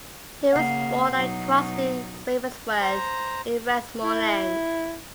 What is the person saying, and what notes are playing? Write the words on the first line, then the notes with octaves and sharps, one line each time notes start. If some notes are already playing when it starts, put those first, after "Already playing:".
He was born at Crosby Ravensworth in Westmorland.
C#3 A#3 F#5 C7
B2 F#3 D#4
C5 A#5
E4